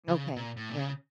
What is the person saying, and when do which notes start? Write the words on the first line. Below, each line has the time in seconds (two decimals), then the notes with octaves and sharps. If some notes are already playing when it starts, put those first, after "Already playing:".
Okay, yeah.
0.08 C#3
0.36 A#2
0.57 A2
0.69 A#2
0.77 C#3